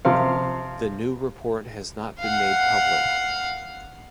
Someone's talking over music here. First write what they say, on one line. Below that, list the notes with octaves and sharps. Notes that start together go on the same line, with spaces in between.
The new report has not been made public.
C3 F3 C4 F5
F5 F#5